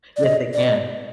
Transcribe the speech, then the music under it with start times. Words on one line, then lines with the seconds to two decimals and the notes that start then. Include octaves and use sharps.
Yes they can.
0.17 D5
0.24 D#5
0.54 D5
0.63 D#5